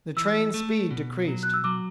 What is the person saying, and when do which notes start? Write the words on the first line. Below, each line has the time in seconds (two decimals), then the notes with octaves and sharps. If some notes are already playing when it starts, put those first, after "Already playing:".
The train's speed decreased.
0.17 E3 E6
0.54 A3
0.91 B2
1.28 F#3
1.43 F#6
1.54 E6
1.64 F#3 D6